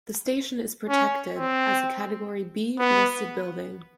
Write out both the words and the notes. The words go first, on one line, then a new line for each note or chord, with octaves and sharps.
The station is protected as a category B listed building.
C#4
C4
B3